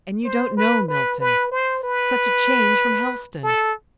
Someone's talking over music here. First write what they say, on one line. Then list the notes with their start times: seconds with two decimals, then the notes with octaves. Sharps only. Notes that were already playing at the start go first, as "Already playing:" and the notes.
And you don't know Milton. Such a change from Helstone!
0.25 C5
0.57 B4
0.88 B4
1.21 B4
1.52 C5
1.83 B4
3.43 A4